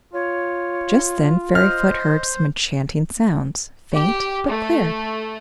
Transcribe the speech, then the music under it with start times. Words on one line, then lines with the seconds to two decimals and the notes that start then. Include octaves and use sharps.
Just then Fairyfoot heard some enchanting sounds, faint, but clear.
0.13 F4 C#5
1.55 C5 D#5 F6
3.93 G4
4.49 A3